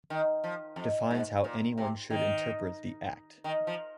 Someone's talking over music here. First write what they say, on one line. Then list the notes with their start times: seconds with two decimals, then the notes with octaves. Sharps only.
Defines how anyone should interpret the Act.
0.10 D#3
0.44 F3
0.76 F2
1.11 G#2
1.44 A#2
1.78 C3
2.10 D#3
3.44 D#3
3.67 F3